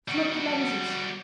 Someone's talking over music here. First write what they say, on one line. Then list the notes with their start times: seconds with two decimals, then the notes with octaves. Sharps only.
Smoke the lenses.
0.08 G3 F#4